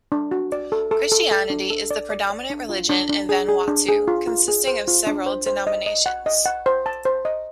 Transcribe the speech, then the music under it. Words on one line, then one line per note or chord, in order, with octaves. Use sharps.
Christianity is the predominant religion in Vanuatu, consisting of several denominations.
D4
F#4
D5
A4
A4
A4
A4
D4
A4
D5
D5
D5
D4
F4
D4
D4
G#4
G#4
D4
G#4
F4
F4
G#4
C5
F4
D4
C5
C5
D#5
D#5
F#5
D#5
F#5
C5
A5
C5
D#5